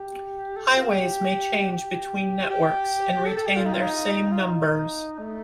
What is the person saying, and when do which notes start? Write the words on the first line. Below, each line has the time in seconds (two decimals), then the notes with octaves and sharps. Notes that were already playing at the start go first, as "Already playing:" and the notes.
Highways may change between networks and retain their same numbers.
Already playing: G4
0.57 A4
0.67 G4
0.77 F4
0.86 G4
1.72 G4
2.50 G4
3.26 A4
3.37 A4
3.47 G4
3.56 F4
3.66 D#4
3.74 F4
3.82 D#4
4.32 F4
4.42 D#4
5.19 A3